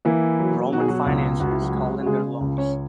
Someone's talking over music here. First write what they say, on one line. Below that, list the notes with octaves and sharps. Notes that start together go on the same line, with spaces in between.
Roman financiers called in their loans.
E3 A#3 E4
F#3
B2 F#4
G#4
F#3 F#4
C#2
C#2 F#4
E4
F#3 F#4
G#3
F#4
C#3 G#3 G#4
C#2
C#4 C#5